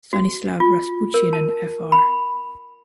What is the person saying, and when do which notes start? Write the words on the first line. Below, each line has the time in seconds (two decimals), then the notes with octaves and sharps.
Stanislav Rasputin and Fr.
0.13 F#4
0.60 F4
1.14 A#4
1.33 A5
1.92 B5